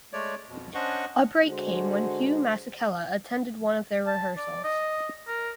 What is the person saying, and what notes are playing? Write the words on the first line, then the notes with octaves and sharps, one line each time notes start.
A break came when Hugh Masekela attended one of their rehearsals.
G#3 A3 C#5 D5
F2 B2
C#4 D4 C5 D#5 F#5 C#6
D3 G#3 F#4 C5
A5
D5
D#5
A#4